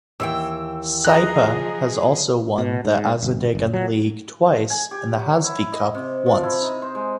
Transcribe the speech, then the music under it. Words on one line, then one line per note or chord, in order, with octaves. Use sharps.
Saipa has also won the Azadegan League twice and the Hazfi Cup once.
D#2 E3 G5 E6
F3 G#4 D#5 A#5 F#6
B2
G#2
G1
F#1
F#3
G#5
G4
F#3
E4
D#5
C3
F3
E4
D#4
C5
G#3